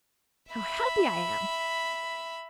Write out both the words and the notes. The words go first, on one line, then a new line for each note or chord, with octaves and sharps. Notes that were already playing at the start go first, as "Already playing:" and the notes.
How happy I am!
E5 B5